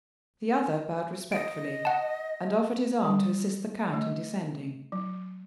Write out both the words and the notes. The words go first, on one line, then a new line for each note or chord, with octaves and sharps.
The other bowed respectfully, and offered his arm to assist the count in descending.
D#5 D7
F#5 A5
G3
A3
F#3